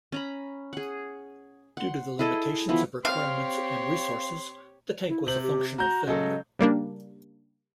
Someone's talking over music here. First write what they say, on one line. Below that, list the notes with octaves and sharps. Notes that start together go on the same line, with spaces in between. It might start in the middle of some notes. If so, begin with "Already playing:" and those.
Due to the limitations of requirements and resources, the tank was a functional failure.
C#4 A#5 B5
G#4 F#5
F#5 C6
E4 G#4 A4 D#5
E3 F3 B3 E4
C4 G4 C#5 F5 C6
E4
C3 C5 F#7
G4
F#4 A#5 G6
C#3 F#3 A4 D#5
C#3 G3 A#3 D4